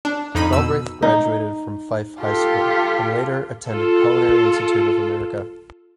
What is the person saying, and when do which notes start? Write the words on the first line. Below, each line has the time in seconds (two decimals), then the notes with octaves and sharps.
Galbraith graduated from Fife High School and later attended Culinary Institute of America.
0.05 D4
0.35 F2 D#4 B5 D#7
0.53 B2 E6
1.02 D#4
2.21 F4 G4 A4
3.67 F4 A4